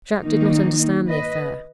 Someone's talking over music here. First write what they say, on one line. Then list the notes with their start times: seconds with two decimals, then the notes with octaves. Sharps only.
Jacques did not understand the affair.
0.21 D#3 A#3 D#4
1.09 B4 D#5